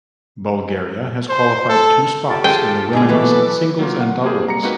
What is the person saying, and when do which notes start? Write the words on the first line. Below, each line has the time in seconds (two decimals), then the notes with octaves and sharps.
Bulgaria has qualified two spots in the women's singles and doubles.
1.29 C5
1.69 A4
2.28 F4 G4 A4
2.44 G#4 C5 G5
2.93 G#2 D3 G#4 G#5
3.08 B2 E3 F#3 A4 B4 B5 D6
3.79 F#3 A#3 F4
4.01 F5 F#5
4.24 A#3 C4 G4 G#4
4.47 G3 A#5 C#7
4.63 G#3 A#3 C4 D#4 F#4 B4